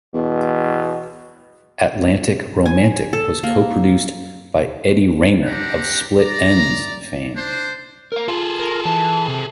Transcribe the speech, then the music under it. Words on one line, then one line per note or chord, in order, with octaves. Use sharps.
"Atlantic Romantic" was co-produced by Eddie Rayner of Split Enz fame.
E2 B2
G#5
A4
A#3
C4 D4 G4 F#5 A#5
D5 A#5
D4 C5
A#4 F5
F4 G#4 A4
A#4
E3 A5
C3